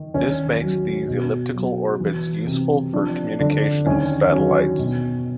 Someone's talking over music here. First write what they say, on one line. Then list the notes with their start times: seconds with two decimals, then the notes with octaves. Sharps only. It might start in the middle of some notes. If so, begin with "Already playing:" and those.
This makes these elliptical orbits useful for communications satellites.
Already playing: D#3
0.14 D#2 C#4
0.61 F#3
1.08 B2
1.54 F#3
2.00 E3
2.47 C3
2.93 F3 D4
3.39 D3 D4
3.86 D#2 C#4
4.32 F#3 C#4
4.79 B2